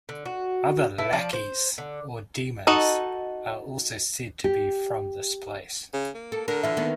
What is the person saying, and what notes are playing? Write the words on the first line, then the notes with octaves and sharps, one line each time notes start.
Other 'Lakheys' or demons are also said to be from this place.
D3
F#4
E4 A4 B4
F3 D5 A5
C5
D3
D#4 F#4 A4 D#5
G4
C#3
A#3
A4
D3 A#4
E3 F4 E5
D#3 A#3 B3